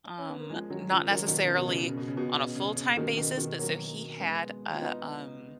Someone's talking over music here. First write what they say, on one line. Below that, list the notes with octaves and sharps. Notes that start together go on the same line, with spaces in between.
Um, not necessarily on a full-time basis, but so he had, uh, um
C#4
B3
A#3
F3 G#3
D#3 F#3
C#3 F3
D#3 F#3
B2 D#3
C#3
B2
C#3
B2
C#3
B2
C#3
B2
C#3
C#3
C#3
B2 D#3
B2 D#3
B2 D#3
F#3 A#3
G#3 B3
F4
B3 D#4